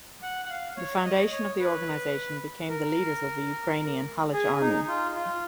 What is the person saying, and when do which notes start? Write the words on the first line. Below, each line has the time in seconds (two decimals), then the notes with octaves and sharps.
The foundation of the organization became the leaders of the Ukrainian Halych Army.
0.22 F#5
0.45 F#5
0.50 F5
0.77 C#5
1.05 D#5
1.32 C#5
1.60 B4
2.69 A#4
4.33 G#4
4.61 D#4
4.88 F4
5.15 F4